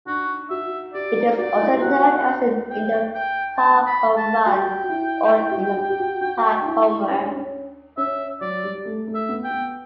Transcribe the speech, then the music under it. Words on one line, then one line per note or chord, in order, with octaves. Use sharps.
It is also known as an "in-the-park home run" or "in the park homer".
D4 F#4
F#4 E5
G4 D5
G4
F#4 D5
E4
G4
F#4 F#5
G5
G5
A5
B5
A5
F#4 G5
F#4
E4
E4
G4
F#4
G4
G4
F#4
F#4
D4
E4
C#4
D4
C#4
C#4 E5
F#3 D5
G3
A3
A3
E5
B3
G5
B3